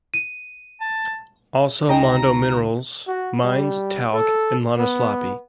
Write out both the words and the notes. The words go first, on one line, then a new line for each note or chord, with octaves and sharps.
Also Mondo Minerals mines talc in Lahnaslampi.
D#7
A5
C#2 D#4 D#5 G5 A#5
F#4
G3
A4
B3